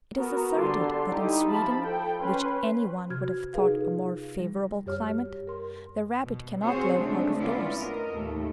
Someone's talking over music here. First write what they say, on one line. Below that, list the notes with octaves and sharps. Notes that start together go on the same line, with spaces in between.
It is asserted that in Sweden, which any one would have thought a more favourable climate, the rabbit cannot live out of doors.
B3 F#4 A#4
D3 G3 G4 C6
D#4 E4 G4
F3 A5 B5
A4 G5
C#4 B4 C6
C3 F#4 F6 G#6
D#4 F4 G#4 A4 B4 F5
G3
F#2 G4 C#5 F6
A#4 C6
B2
C4 F4 F#4 G#4 C5 C#5
G#2 C#3 G#3 A3 C4 D4
D2 B3 C#4 E4 F4 D5
A#4 D#5
D#2 A2 A3